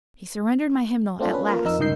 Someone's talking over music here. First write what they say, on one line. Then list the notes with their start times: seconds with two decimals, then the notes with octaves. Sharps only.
He surrendered my hymnal at last.
1.19 A3 C4 D4 F4 A4
1.32 C#4 B4
1.46 A#3 F4 A#4
1.65 F2 D#4 A#4 E6
1.79 C#2 G2 D#3 D#5 G6 C7